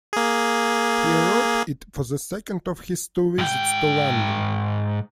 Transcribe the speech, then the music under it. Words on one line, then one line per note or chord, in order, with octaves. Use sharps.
He wrote it for the second of his two visits to London.
A#3 G#4
G#2 G5